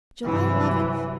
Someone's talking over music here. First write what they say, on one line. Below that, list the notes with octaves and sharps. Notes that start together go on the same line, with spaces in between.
July Eleventh.
G2 C3 E3 F#3